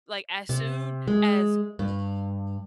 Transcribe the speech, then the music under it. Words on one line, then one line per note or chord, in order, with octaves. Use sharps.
like, as soon as
C3
G#3
G2